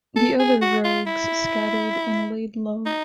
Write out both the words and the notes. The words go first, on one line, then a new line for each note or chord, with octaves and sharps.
The other Rogues scattered and laid low.
A4
G#4
F#4
F4
E4
D#4